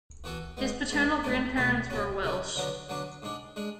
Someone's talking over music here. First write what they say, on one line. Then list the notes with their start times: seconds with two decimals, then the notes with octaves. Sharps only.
His paternal grandparents were Welsh.
0.24 E3 B3 F#4 A4
0.57 G#2 G#3 B3
0.90 G#2 G#3 B3
1.23 C#2 B2 A3 C#4 E4
1.57 C#2 B2 A3 C#4 E4
1.90 C#3 F#3 C#4
2.23 C#3 F#3 C#4
2.56 D3 F#3 B3 D4
2.89 D3 F#3 B3 D4
3.22 G#2 G#3 D4
3.56 G#3 D4